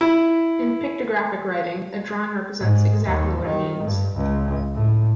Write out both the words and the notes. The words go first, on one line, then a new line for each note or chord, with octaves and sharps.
In pictographic writing, a drawing represents exactly what it means.
E4
G#2
D#2
D#3
G2
C#2
A2